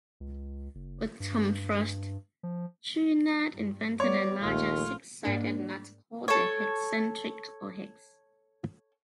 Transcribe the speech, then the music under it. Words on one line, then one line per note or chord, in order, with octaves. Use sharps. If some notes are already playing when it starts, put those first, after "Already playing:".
With Tom Frost, Chouinard invented a larger, six-sided nut called a Hexentric or hex.
C#2
F#1
G2
F3
G2
G3 B3 C#5 D5
A#1 D#2 A3 F4
G#2 A#3 D4
A4 C#5